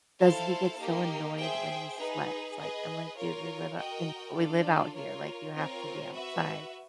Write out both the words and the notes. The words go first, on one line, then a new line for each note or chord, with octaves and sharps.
does he get so annoyed when he sweats. Like, I'm like, "Dude, we live up in we live out here. Like, you have to be outside."
E4 A4 C5 F5 A5
A#3 D#4 G4
G#4 C5 E5 G5
D#4 G#4 B4
G#4 B4 D#5
F4 A#4 C#5
F#4 A#4 D#5 G5
D4 F4 A4 D5
F4 A#4 C#5
C4 F4 A#4 C#5
F#4 B4 E5